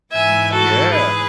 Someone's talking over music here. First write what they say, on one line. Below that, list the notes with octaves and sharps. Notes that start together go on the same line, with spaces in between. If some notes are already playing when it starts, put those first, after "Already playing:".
Mm, yeah.
G#2 E3 E5 G#5
F#4 A4
G#4 B4